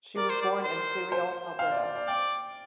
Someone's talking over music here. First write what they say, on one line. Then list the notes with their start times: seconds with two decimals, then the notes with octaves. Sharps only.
She was born in Cereal, Alberta.
0.16 A#4 D5
0.30 C5
0.42 D5
0.64 C5
1.12 C5
1.59 F5
1.71 D5
1.83 D5
1.95 D5
2.07 D5 G5